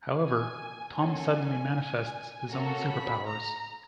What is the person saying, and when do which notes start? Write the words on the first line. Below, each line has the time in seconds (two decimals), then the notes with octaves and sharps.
However, Tom suddenly manifests his own superpowers.
0.18 G#5
0.95 A#3 C#4 F#4 A4 G#5
2.50 A#3 C#4 F#4 A4 A#5
2.89 B5
3.27 A#5